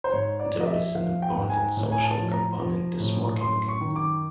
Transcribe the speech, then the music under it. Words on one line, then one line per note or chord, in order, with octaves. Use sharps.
There is an important social component to smoking.
C5
G#2 C#5
D5
F3
D#5
E5
F3 F5
G5
G#2
G#5
A2
G#5
A5
F3
A#5
F3
A2
F#2 C6
C#6
D#3
D6